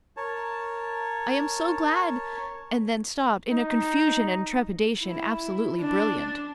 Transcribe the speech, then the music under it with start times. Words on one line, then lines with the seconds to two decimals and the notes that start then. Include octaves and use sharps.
"I am so glad--" and then stopped, in a confusion and trepidation absolutely brilliant.
0.17 A#4 C#5 A5
3.51 D#4
5.03 E4
5.80 D4